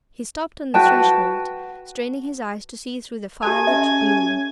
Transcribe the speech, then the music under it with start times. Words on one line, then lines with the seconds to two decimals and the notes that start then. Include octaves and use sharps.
He stopped on the threshold, straining his eyes to see through the fire-lit gloom.
0.74 F#4 B4 G5 A5
3.43 G4 A4 G#5 A5
3.67 C#4 E5